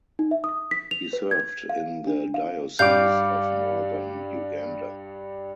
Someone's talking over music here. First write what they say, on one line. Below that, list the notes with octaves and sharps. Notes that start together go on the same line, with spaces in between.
He served in the Diocese of Northern Uganda.
D#4
E5
D#6
B6
F7
B4
G#6
F5
D4
F5
G2 G3 F5 D6 G6